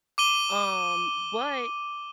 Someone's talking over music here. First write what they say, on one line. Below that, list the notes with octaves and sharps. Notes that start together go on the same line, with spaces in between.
um, but
D6 D#7 G7